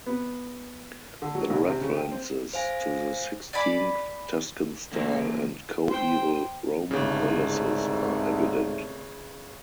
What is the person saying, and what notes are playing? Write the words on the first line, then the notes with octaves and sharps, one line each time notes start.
The references to sixteenth Tuscan style and coeval roman palaces are evident.
B3
D3
F#3
C2
C3
C#3
G5
C4
C5 F5 G#5 A#6
D5 G#5 B5 D6
D3 E3 A#3 A4 C5
C5 G5
G1 C2 G#2 C#3 A3